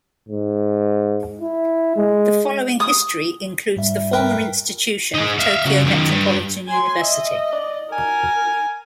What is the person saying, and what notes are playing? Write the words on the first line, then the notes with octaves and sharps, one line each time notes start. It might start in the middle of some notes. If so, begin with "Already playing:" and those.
The following history includes the former institution of Tokyo Metropolitan University.
G#2
E4
G#3
D#6
G#2 G3 E5
A#4 B4 G5
D#4 G#4
E5 F5
C#3 F#4
F#2 D#3
G2
F#3 G#5 C6
D#5 E5
D5
A#4 G#5